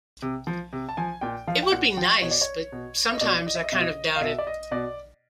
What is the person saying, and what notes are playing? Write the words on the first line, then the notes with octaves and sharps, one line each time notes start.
It would be nice, but sometimes I kind of doubt it.
C3
F3
C3
A5
F3 G#5
A#2 G5
F3 F5
G5
A#2 F#5
F3 G5
B2 C#5
D5
C#5
B2
D#5
B2 D5
D#5
E5
D#5
B2 E5
D#5
F5
B2 E5
D5
D#5
B2 D5